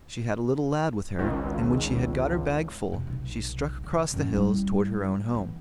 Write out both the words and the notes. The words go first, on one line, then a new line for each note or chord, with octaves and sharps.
She had a little lad with her, and when she had got her bag full, she struck across the hills towards her own home.
G#1 C#2
F2 C3
F1 B1
D3
F#2 E3
G3 E4
E3 B3